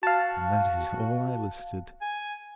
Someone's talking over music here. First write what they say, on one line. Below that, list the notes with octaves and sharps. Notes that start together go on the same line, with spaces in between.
And that is all I elicited.
F#4 F5 A5
G#5